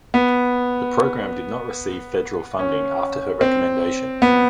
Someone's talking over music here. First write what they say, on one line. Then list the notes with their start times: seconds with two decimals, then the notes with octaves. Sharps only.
The program did not receive federal funding after her recommendation.
0.14 B3
2.59 C#4
3.41 C4
4.22 B3